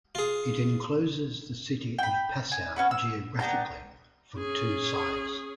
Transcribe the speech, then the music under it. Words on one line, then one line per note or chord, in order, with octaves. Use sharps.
It encloses the city of Passau geographically from two sides.
F4 G#4
G5 B5
G#5
C#4 F#4 B4
E6
B3 D4 G5 A#5
C#4 G#4